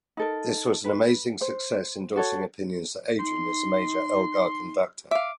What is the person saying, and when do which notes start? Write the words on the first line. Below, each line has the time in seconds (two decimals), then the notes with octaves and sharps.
This was an amazing success, endorsing opinions that Adrian is a major Elgar Conductor.
0.17 D#4 A4 A#4
0.84 B4
1.41 C5
2.16 F#4 A4 C#5
3.19 D#4 C6
5.11 E5 F5 D6